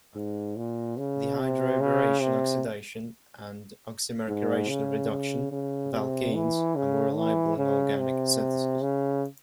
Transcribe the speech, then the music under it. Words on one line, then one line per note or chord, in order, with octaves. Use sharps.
The hydroboration-oxidation and oxymercuration-reduction of alkenes are more reliable in organic synthesis.
G#2
A#2
C#3
C3
C#3
C3
G#2
C#3
C#3
C#3
C3
E3
C#3
E3
C#3
C3
C#3